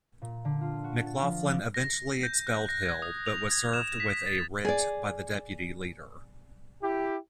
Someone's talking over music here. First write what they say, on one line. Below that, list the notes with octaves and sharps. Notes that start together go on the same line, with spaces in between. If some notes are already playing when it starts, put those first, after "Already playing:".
McLaughlin eventually expelled Hill but was served with a writ by the deputy leader.
A#2
D3
F4
F#4
A6
F3
D6
A#6
G6
F#6
A#6
G#6
D#6
F7
G#6
E7
B6
A6
G#4 D5
E4 G4